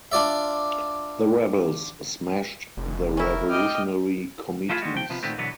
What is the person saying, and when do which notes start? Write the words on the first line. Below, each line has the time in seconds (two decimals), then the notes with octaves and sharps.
The rebels smashed the revolutionary committees.
0.12 D4 F4 D5 E5
2.77 F1
3.17 C#4 E4 A#4
3.50 D#5 G5 D6 F6
4.69 F3 A3 E4 F4 G#4
4.82 G3 G#3 F#4
4.94 F3 G5
5.10 C3 F3 B3
5.23 A#2 D#3 A3 B3 C4
5.38 B2 D3 E3 F#3 B3